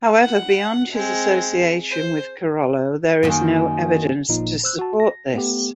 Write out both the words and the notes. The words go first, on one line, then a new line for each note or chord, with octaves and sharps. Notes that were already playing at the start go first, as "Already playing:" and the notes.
However beyond his association with Carollo there is no evidence to support this.
F#5
G#3 C4
C5
F#2 D#3 A#3
G1 A#2 F3 D#4
C5 E6 F#6
F#4 A5
A#6
A3 B3 G4